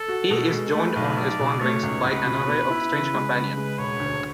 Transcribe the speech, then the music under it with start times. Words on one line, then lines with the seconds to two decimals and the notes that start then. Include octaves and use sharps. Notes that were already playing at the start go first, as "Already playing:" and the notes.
He is joined on his wanderings by an array of strange companions.
Already playing: A4
0.08 F#4
0.30 B2 A4
0.52 G#3
0.73 A3 B4
0.96 B1
1.17 B1 D5
1.40 B2
1.61 A3 C#5
1.83 C#2
2.05 C#2 B4
2.26 B2
2.47 B3
2.70 E4
2.91 C#3
3.13 G#3
3.35 C#3 B4
3.57 G#3
3.78 E1 C#5
4.00 D2